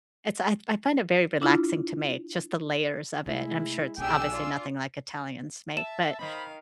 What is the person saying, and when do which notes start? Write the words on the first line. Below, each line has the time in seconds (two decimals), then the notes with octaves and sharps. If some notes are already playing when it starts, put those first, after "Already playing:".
it's I I find it very relaxing to make, just the layers of it, and I'm sure it's obviously nothing like Italians make, but
1.42 D4 E4 F4
3.26 C3 G#3 A3 E4
3.98 B1 D4 G4 G#4 G5 G#5 E6
4.32 F4 D5
5.77 E5 A5 E7
6.19 D#3 C5 D#5 F5 B5